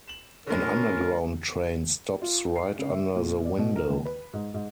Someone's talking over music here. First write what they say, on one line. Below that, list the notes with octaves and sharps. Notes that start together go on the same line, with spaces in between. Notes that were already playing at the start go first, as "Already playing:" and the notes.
An Underground train stops right under the window.
E7 F#7
A2 D3 C#4 F4 A#4
F4
C7
C#3
E5
A#2
D5
B2
A#4
D#2
B4
G#2
G#2